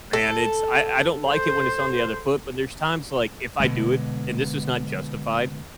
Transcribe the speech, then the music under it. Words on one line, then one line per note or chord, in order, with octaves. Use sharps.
man, it's I I don't like it when it's on the other foot. But there's times like if I do it and this is not justified,
A4
C5
B2 D3 G#3